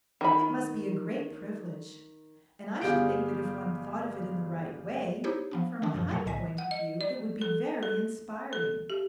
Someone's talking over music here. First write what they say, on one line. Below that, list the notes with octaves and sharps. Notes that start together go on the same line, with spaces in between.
"It must be a great privilege, and I should think that if one thought of it in the right way--from a high point of view--it would be very inspiring."
D#3 B5
G1 G4 G#4 F5 G6 D7
D#4 E4 G4 C5 C#5
F3 B3 D4
D#3 F#3 C4 D4
F#2 A#2 C#3 F3
B2 F#3 A3
B1 A2 D3 D#5 G#5 B6
F#5
D#5
D5
A4
A4
A4
G4